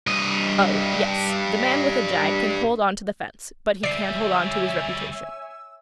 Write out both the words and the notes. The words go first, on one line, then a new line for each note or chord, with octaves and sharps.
Oh, yes, the man with a jag can hold on to the fence, but he can't hold on to his reputation.
G2 D#5
D2 G3 C#5 D5 E5 G#5 E6 C7